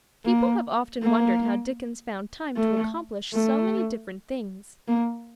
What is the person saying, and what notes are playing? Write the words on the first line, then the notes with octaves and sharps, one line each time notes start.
People have often wondered how Dickens found time to accomplish so many different things.
A#3
A#3
A3
A3
A#3